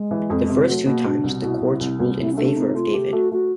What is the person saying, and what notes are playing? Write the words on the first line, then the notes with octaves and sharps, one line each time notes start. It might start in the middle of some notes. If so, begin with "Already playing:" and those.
The first two times, the courts ruled in favor of David.
Already playing: G#3
E3
F2
C3
F#3 A3
B2 A#3
B2 D4
C2
B2 E4
C2
C2
C2
C2 E4
C#4
A3 D4
C3 D#4
A3 F4
A3 G4
A3 F#4
A3 F#4